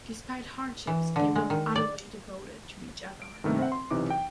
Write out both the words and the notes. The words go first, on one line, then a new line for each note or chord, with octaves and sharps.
Despite hardships, they were utterly devoted to each other.
E3
D3
G#3
D#3
D5
D7
G2 C3 D#3 A3 A#3
C4 E5 F#5
C6
B1 C3 E3 D#4 D6
G5